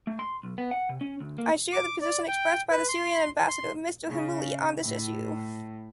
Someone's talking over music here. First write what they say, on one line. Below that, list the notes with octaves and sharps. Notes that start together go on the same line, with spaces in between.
I share the position expressed by the Syrian Ambassador, Mr. Hamoui, on this issue.
A3
C6
B1
B3
F#5
C3
C#4
D2
A#3
D6
D5
G5
B4
C6
C6
C#3
A2